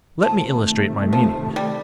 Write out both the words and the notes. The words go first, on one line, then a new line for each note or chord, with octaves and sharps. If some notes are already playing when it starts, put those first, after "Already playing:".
Let me illustrate my meaning.
C3 D#3 F3 A3
F3
G3